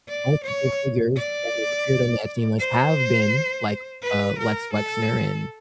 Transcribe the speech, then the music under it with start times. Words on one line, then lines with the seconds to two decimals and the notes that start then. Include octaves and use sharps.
multiple figures that have appeared on the Epstein list have been like, uh, Lex Wexner and,
0.08 D5
0.44 C#5
1.16 D5
2.59 C5
4.03 B4
4.39 A#4
4.74 A4